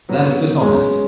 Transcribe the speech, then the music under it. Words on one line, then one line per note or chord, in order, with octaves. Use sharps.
That is dishonest.
F#3 B3
G#3 C#4